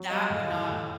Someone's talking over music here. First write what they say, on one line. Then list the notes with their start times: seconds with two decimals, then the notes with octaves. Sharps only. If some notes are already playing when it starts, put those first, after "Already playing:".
That would not
Already playing: F#3
0.10 G3 D#5 F5
0.30 A2
0.50 E3
0.69 A2